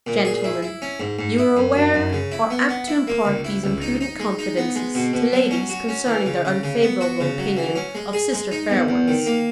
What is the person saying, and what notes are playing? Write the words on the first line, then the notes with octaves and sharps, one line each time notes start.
Gentlemen, you are aware, are apt to impart these imprudent confidences to ladies concerning their unfavorable opinion of sister fair ones.
A#2
G#4
E4
E4
C#4
G#2
G#2
E4
F#2
F#2
F#2
C#3
E4
B3
B3
E4
A#3
C#2
E4
C#2
D#4
D#4
G#3
D#4
B3
G#3
B2
B2
F#3
C#4
F#4
C#4
E3
C#3
C#3
C#3
B3
F#4
C#3
F#3
E3
C#4
G#3
G#4
G#3
D#4
E2
E2
D#3
A#3